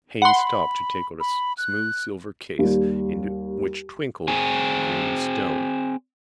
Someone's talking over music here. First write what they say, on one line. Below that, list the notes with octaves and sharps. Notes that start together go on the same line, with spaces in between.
Haines stopped to take out a smooth silver case in which twinkled a green stone.
F#5 B5 C6
B5
F#6
D#2 G3
C4 G#4